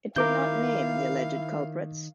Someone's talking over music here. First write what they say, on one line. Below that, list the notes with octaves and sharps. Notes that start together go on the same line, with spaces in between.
It did not name the alleged culprits.
D#3 E4 A#4 F5 D6 G6